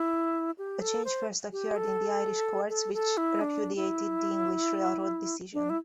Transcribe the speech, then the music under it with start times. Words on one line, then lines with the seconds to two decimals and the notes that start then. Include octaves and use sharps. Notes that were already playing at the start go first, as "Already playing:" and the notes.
A change first occurred in the Irish courts which repudiated the English railroad decision.
Already playing: E4
0.58 G4
0.81 A4
1.05 C5
1.52 G4
1.76 A4
2.70 A4
2.94 A4
3.17 E4
3.41 D4
3.76 E4
5.54 D4
5.70 E4